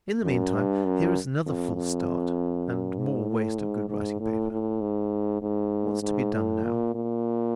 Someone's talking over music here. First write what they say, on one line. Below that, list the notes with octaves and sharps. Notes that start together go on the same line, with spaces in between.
In the meantime, here is another false start, and more waste of good writing-paper. What's to be done now?
F#2
G2
F#2
F2
F2
F#2
G#2
A2
G#2
G#2
A2
A2
G#2
G#2
G#2
A2
A#2
A#2